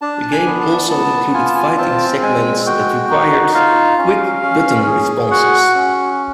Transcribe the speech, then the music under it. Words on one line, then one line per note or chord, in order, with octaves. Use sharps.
The game also included fighting segments that required quick button responses.
D4 A5
A5
G#5
B3
A5
B3 A5
F4 G#5
A5
G#5
C4 A5
G#3 G#5
F#4 G5
D#4
F4 F5
C#4
C#4
G#4
F#4 F#5
C#4